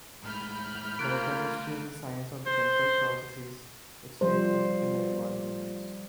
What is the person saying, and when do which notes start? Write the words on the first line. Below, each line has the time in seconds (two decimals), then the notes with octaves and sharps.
Biochemistry is the science of the chemical processes which takes place within living organisms.
0.23 A2 G#3 B5 F6 G6
0.99 A3 A#3 F4 A#4 F#6 D7
2.46 C5
4.21 F3 G3 C5